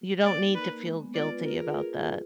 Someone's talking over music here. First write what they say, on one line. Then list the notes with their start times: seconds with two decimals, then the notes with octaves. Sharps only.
you don't need to feel guilty about that.
0.25 A#3 D5
0.40 D#4
0.55 A#4 B4
0.70 A#3
0.84 G#3
1.00 B3
1.15 F4 D5
1.29 B4
1.45 F4 A#4
1.59 G#4